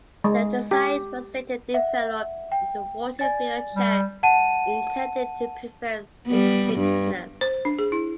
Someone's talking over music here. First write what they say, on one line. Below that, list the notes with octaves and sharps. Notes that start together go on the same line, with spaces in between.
The design was later developed into a water-filled chair intended to prevent seasickness.
G#3
G4
E5 F#5
G5
D5 G#5 A6
G3
F#5 A5 D#7
G3 B3
G2
C5
D4
G#4
E4